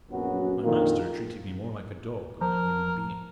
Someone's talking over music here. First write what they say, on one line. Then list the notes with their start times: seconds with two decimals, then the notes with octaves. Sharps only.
My master treated me more like a dog than a human being.
0.11 A#1 F#2 F#3 B3 C#4 F#4
0.64 A#1 F2 A#2 D#3 A#3
2.41 F3 A#4